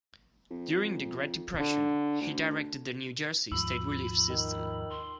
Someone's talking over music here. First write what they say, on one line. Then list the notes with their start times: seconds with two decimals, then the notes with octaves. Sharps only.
During the Great Depression, he directed the New Jersey state relief system.
0.50 F2
1.59 D3
2.21 D2
3.52 D#2 G#2 F3 B5 E6 F#7
4.30 D#3
4.90 C6